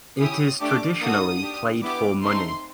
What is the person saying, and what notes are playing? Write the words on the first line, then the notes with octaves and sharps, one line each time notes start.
It is traditionally played for money.
C#4 E4 G4 D#6
A3 D4 G4 D6
A#3 D#4 F#4 A4 D#6
D4 G4
B3 E4 G4 D6
A3 C4 D#4 C6